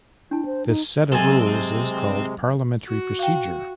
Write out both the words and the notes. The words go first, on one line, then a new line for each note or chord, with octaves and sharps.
This set of rules is called parliamentary procedure.
D4 E4 A5
C5
D#4
C3 F#3 G#3 C4 A4 G#5
F#4
F5 G5